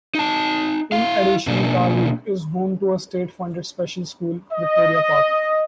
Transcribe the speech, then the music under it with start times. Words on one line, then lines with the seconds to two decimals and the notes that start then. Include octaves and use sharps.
In addition Carluke is home to a state funded Special School, Victoria Park.
0.15 D#4 A5
0.92 E4 F5
1.47 B2 A#3 D4
4.52 D#5